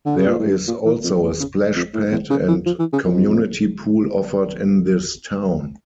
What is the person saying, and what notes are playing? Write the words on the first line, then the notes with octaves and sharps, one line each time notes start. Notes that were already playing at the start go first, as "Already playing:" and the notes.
There is also a splash pad and community pool offered in this town.
D3
C#3
A#2
A2
G2
A#2
E3
F2
A2
C#3
F2
A2
E2
C#3
E3
F3
E3
C#3
F2